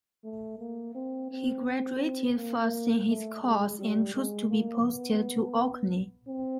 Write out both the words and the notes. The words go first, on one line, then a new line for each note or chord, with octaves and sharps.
He graduated first in his course and chose to be posted to Orkney.
A3
A#3
C4
C4
C4
A#3
A3
G#3
G3
G#3
A#3
B3
C4